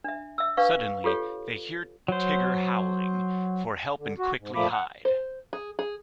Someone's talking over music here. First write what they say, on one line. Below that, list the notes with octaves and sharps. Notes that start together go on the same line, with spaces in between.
Suddenly, they hear Tigger howling, for help and quickly hide.
D4 E5
E5 E6
D4 B4 F5 C#6
F4 G4 A4 C#5
F#3 C5
D3
F#4
G#2
A#2 F3 A3 A#3 B5 D6
F#5
C5
G#4
G#4